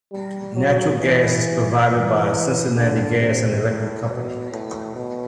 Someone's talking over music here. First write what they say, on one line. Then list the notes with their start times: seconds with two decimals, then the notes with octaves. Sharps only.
Natural gas is provided by the Cincinnati Gas and Electric Company.
0.12 G3
0.56 F#3
0.99 E3
1.88 E3
2.75 D3
3.19 C3
3.63 A2
4.08 B2
4.51 A2
4.96 B2